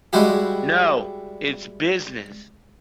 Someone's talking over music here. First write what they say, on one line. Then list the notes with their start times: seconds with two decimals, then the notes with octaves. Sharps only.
No, it's business.
0.13 G3 G#3 E4 F#4 G4